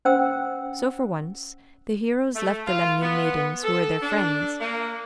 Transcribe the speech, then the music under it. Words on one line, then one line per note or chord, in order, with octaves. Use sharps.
So, for once, the heroes left the Lemnian maidens who were their friends.
C#4 C5 F#5 G5 E6
A3
F4
B3
A4
D4
A#3